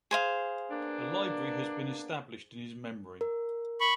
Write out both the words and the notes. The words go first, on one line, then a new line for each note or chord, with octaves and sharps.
A library has been established in his memory.
G#4 C5 F5
A#3 B3 D4
A#4
B5 C#6